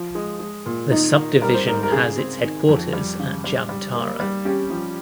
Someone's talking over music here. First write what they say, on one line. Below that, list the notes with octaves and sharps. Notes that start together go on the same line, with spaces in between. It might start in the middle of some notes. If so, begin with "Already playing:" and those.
The subdivision has its headquarters at Jamtara.
Already playing: F3
G#3
G#3
A#2
D#3 D#4
D#3
G3 A#4
C5
G#2 A#4
A#4
C#3 G#4
C4
D#3
F2
G3
C#3
G3
G3
A#3
G3
C#4 G4
F3